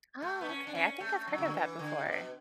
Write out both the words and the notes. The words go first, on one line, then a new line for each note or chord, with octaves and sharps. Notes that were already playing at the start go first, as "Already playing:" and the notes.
Oh, okay. I think I've heard of that before.
A3
B3
C#4
D4
C#4
A3
F#3
C#3
D3
E3
D3
B2